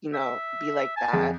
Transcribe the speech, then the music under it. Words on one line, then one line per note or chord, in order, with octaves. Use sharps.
you know, be like that,
E5
G#5 A5
F2 G#4